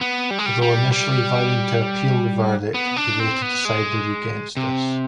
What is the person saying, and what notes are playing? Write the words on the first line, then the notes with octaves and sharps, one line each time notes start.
Although initially vowing to appeal the verdict, they later decided against this.
B3
G3
G#3
G3
G3
G3
B3
D4
C4
B3
G#3
C3